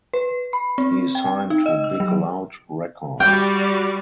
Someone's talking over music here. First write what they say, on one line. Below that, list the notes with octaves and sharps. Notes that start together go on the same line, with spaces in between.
He is signed to Big Loud Records.
B4
B5
C4
G5
D#4
D#5
E6
F#3
G3 F#4 D5 G5